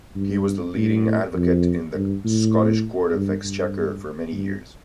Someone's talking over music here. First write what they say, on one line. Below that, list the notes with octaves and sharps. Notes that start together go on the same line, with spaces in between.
He was the leading advocate in the Scottish court of exchequer for many years.
G2
A2
F2
G2
A2
G2
G2
G2